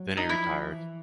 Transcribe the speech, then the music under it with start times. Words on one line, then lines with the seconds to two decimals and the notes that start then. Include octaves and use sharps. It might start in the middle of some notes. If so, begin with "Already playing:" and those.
Then he retired.
Already playing: F#3
0.17 D#4
0.29 F3 E4
0.71 E3